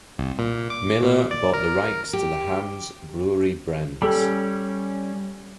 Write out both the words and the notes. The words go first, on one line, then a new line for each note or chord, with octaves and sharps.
Miller bought the rights to the Hamm's Brewery brands.
C2
A#2
D6
A#2
D5
A#4
G4
G3 C#4 G4 A4 B5